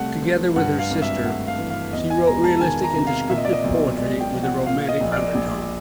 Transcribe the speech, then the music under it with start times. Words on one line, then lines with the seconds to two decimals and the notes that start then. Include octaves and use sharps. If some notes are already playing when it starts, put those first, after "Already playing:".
Together with her sister, she wrote realistic and descriptive poetry with a romantic undertone.
Already playing: C2 C3 A3 F#5
0.22 F3
0.56 G2 F#5
0.79 F5
0.90 G#1
1.02 E5
1.25 A3 F#5
1.48 F5
1.59 E3
1.70 F5
1.93 E2 D#5
2.10 G#5
2.27 E1 A#5
2.44 A5
2.61 D#3 G#5
2.84 A#5
2.95 C3
3.07 F5
3.29 A#2 E5
3.37 D#5
3.45 D5
3.53 D#5
3.64 B1
3.98 G#3 D5
4.20 G5
4.32 F3
4.43 F#5
4.66 A#2 F5
4.89 D#5
5.01 A#1
5.12 D5
5.35 A#1